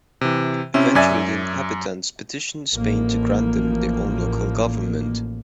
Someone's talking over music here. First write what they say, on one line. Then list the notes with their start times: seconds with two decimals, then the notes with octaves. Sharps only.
Eventually the inhabitants petitioned Spain to grant them their own local government.
0.21 C3 E3
0.74 C3 C4 C#4 E4
0.95 F#2 D5 E5 G#5
2.72 A1 F3 A#3